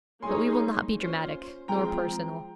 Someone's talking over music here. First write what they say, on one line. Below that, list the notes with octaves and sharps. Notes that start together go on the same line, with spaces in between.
'But we will not be dramatic, nor personal.'
G3 A#3 D#4 G#4 C#5 G#5 C6
C#4 F4 C5
F3 G#3 C4 F4 G5 A#5